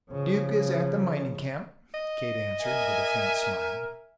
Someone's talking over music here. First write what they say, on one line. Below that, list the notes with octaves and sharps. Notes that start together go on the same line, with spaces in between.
"Duke is at the mining camp," Kate answered, with a faint smile.
C#3 F3
D#5
A#4 E5 G#5